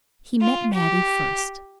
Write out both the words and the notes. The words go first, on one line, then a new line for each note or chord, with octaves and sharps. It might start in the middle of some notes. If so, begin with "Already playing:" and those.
He met Mattie first.
F4
G4